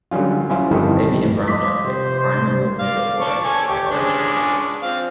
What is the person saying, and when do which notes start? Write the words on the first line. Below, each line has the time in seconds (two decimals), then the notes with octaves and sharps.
Baby in brown jacket, crying and walking to a boy, by orange car.
0.11 D3 F#3 G3 C#4 F4
0.50 C#4 E4 F4 C5
0.71 G1 F2 D#3 G3 E4 A4
1.48 F3 D#5 C6 D6 B6
1.85 C3 C5
2.19 C5
2.79 D5 F5
3.20 D5 A5 C#6
3.44 A4 C#5 G#5
3.68 G4
3.91 G#3 C#4 D4
4.83 F3 C4 F5